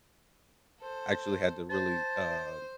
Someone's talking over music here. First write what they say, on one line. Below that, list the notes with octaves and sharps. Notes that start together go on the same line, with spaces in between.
I actually had to really, um,
A4 C5
C5 A5